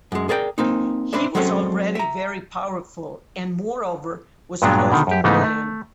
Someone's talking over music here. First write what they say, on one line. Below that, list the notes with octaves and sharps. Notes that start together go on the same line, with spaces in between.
He was already very powerful, and moreover was close to Milan.
F#2 G#3
G#4 A#4 D5 E5 G5
A#3 C4 D#4
C4 D4 B4 D5 E5
F#3 G#3 C4 C#4 A4
E5 A#5
G2 A#2 F#3 G#3 B3 D4
B2 D3 D#3
F#2 G4
G#2 C#3 E3 A3 B3 D#4
A3